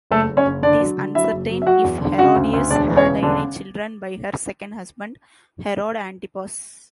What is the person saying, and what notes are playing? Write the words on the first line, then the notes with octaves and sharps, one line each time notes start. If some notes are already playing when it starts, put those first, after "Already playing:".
It is uncertain if Herodias had any children by her second husband, Herod Antipas.
F#1 A3 A4
F#1
C#4 C#5
F#1
D3 D4 D5
F#3
D3
F#3 E4 E5
F#1
F#3
E5
F#3 F#4 F#5
E2
D3
C#3 F#4 F#5
D2
D2
E1 D4 D5
E3
C#4 C#5
C#3
E1 D3 D4